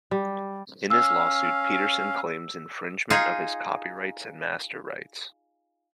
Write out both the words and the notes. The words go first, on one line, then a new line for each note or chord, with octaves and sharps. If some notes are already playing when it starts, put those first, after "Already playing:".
In his lawsuit Peterson claims infringement of his copyrights and master rights.
G3
C#4 F5 E6
D#4 F4 G#4